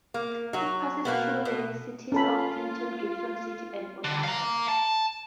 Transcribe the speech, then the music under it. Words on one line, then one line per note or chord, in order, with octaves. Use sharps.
It passes through the cities of Clinton, Gibson City, and Onarga.
A#3
F#3 F#4
B2 A#3 B3
B2
C#4 F4 A4 B5
D3
F5 A#5
A5